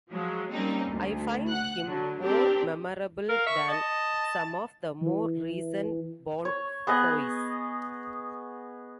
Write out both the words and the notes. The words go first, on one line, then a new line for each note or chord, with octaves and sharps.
I find him more memorable than some of the more recent Bond foes ...
F3 F#3 G#3
G3 A#3 C4 C#4 D#4
D2
F#5 F#6
D3 F#3
C4 D4 G4 A#4
A#4 F5
E5 C#6
D#5 A5
E3
C#5
B3 G#4 D#5 F#5